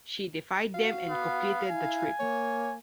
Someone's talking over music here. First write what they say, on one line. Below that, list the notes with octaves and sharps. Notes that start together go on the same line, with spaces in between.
She defied them and completed the trip.
F#4 F5
B3
E4 G#5
A#3 C#5